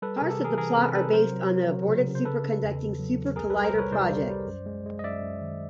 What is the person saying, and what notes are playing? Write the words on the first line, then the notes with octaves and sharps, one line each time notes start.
Parts of the plot are based on the aborted Superconducting Super Collider project.
G3 A4 B4
C3 G#4 A#4
G4 A4
E3
G#4 A#4
E3 G#4 A#4
C5
C3 A4 B4
C3 A4 B4
F#3 A#4 C5
F#3
F#3
F#3
C#3
C#3
C5
C#3 A4 B4
C#3
E2
E2
F#3
E2
C2 G#4 A#4
A4 B4
G3
A#4 C5
C2 B4 C#5
C2 C5 D5
G3
G3
F#2
G#3
G#3
D#5
F#2 D5 E5
F#2
D#3